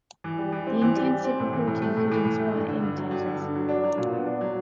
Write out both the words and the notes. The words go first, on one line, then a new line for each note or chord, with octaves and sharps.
The intensive reporting could inspire imitators.
E3
G3
E3
C4
E3
G3
E3
C4
A2
E3
A2
A3
A2
E3
A2
A3
G2
D3
G2
F#3
G2
D3
G2
F#3
D4
F#3
A#2
B3
D4
F#3